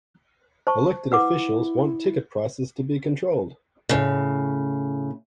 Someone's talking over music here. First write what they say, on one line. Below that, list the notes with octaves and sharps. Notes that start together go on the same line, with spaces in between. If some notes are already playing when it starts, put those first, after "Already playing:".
Elected officials want ticket prices to be controlled.
C5 A5 C#6
E4 B4 F#5 D6
A2 C#3